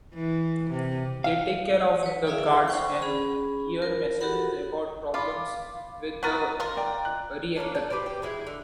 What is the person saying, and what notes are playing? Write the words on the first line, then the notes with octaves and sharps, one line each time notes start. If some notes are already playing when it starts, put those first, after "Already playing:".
They take care of the guards, and hear messages about problems with the reactor.
E3
C3
F5
B4 C#5
E4 G#4 D5 E5 F5
C5 F#5 G5 C#6
C#4 G#4 B5
A#4
F#4 G4 A4 A#4 F#5 B5
F4 B5 D6
B3 F#4 A#4 F#6 A6 D#7
F4 A#4
D5 G5
F#6
A#3 B3 C#4 D4
D5 A5
G4 B4 C5 D5
G4
E3 G#3 E4
D3